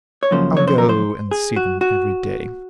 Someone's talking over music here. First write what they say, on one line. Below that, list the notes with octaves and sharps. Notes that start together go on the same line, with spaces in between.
I'll go and see them every day.
C#5
F#2 C#3 F3 A#3 C#4 C5
C#5
C5
A#4
C5
G#4
F#4
F#4